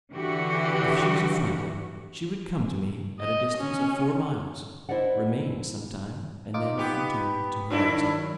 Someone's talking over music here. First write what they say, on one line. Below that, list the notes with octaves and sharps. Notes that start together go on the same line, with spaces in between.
If she was affronted she would come to me, at a distance of four miles, remain some time, and then return to her master.
D3 E3 F#4 G4
D#5
C#4
E4 C5 D5 D#5 F#5
D#4 F4 D6
B3 G4
G2 D#3 F#3 D4 E4